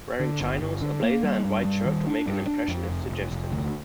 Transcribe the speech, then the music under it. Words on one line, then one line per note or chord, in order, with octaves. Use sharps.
Wearing chinos, a blazer and white shirt to make an impression is suggested.
D3
G1
G1
D3
A#3
G3
G2
G3
D#3
D4
G2
D4
F2
F1
F1
F1
D2